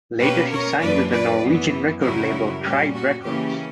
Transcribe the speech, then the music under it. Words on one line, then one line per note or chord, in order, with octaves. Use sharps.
Later she signed with the Norwegian record label Tribe Records.
B2 A#3 C#4 G4 B4
A#4 C#5
F#2 E3 A#3 D4 B4 D5
B4 D5
F#2 E3 B3
F#2 C#3 G3 C#4 E4 F#4 A#4
A#2 G3 C#4 G4
F#4
C#3 E3 A#3 C#4 G4